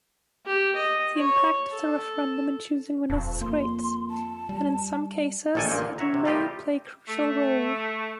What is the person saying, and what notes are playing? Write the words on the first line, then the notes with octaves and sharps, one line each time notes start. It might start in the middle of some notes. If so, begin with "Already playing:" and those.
The impact of the referendum in choosing winners is great, and in some cases it may play crucial role.
G4
D#5
C#5
A4
D#1 F2 A5
A#3 C6
A5
G3
A#1 D#3 A4 D5 G#5
A1 A#2 A#3 G5
D3
C#5 E5 F#5 A#5
C3
G3 A3 F4 G4 A#4 D#5
A3